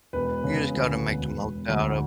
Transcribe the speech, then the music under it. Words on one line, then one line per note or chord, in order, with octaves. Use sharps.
you just gotta make the most out of
E1 B4
C#3
D2
E1
E1
D2